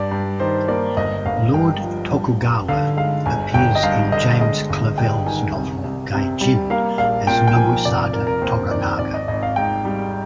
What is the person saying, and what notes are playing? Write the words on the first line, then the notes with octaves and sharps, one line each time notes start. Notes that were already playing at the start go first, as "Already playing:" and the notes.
Lord Tokugawa appears in James Clavell's novel "Gai-Jin" as Nobusada Toranaga.
Already playing: G2 D5
G2
D#3 C5
A#3 D5
G1 D#5
G1 F5
G2 G5
F3
G2
G2
D3 F5
G#3 F5
G1 G#5
G1 G5
D#5
G2 F5
D3 D#5
G#3 D#5
G1
G2 G5
D#3 G#5
C2
C2
C3
G3
A#3 F5
A#1 F5
A#2 G5
G5
F3 G#5
F1 D5
F1 A#4
A#4
D#2 C5
D#3 D5
G#1 D5
D#5
G#1 D#5
F5
G#2 G5
G3